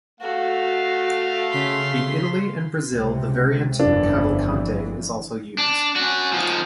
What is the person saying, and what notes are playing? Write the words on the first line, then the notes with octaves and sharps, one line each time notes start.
In Italy and Brazil the variant Cavalcante is also used.
A3 F#4 A4 F5
C#3 C6 B6
C#2 C3
G1 F2 E3 D4
D4
C#4 F#4
F3 D#4